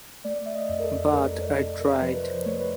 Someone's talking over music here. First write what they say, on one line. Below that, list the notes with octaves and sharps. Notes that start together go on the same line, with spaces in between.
But I tried.
A3 D5
E5
D#5
F2
A#4
A4
A4
F2 A#4
A#4
C3 A4
A#4
F3 B4
C5
C5
A3 C#5
B4